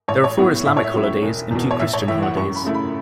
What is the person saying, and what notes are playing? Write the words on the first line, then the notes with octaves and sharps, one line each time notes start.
There are four Islamic holidays and two Christian holidays.
A1 C#5
C#5
A2 F#3 B3 E4
A2 E5
C#5
E5
F#3 C#4 E4
E5
E1
E2 B2
C#5
A1 E5
C#5
A2 E3 E5
F#5
F#2 C#6
B5
C#3 A3 E4
B5